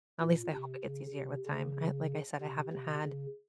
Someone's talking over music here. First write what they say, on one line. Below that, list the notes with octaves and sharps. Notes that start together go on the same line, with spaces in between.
At least I hope it gets easier with time. I like I said, I haven't had
A#2
C3
C#3
C3
C#3
C3
C3
C#3